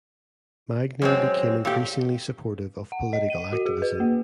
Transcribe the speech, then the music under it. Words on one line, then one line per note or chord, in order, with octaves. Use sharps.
Magny became increasingly supportive of political activism.
F#2 G#3 C4 C#5
A#2 A3 G4
F#5
D#5
D#7
F#4
G#4
B4
A#3